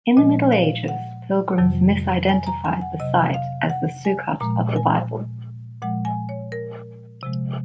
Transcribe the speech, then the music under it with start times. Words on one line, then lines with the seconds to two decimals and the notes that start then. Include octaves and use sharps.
In the Middle Ages, pilgrims misidentified the site as the Sukkot of the Bible.
0.17 A#2 F3 G#3 D#5
0.52 F5
0.88 F#5
1.58 F2 C3 D#3 F#3
2.29 G#5
2.47 A#5
2.65 G#5
2.81 F#5
3.00 C3 F#3 D#5
3.34 F5
3.70 F#5
4.05 G#5
4.40 A#2 F3 G#3 A#5
4.76 G#5
5.82 A#2 F3 G#3 F#5
6.05 G#5
6.29 C#5
6.52 A#4
7.23 C3 F3 G#3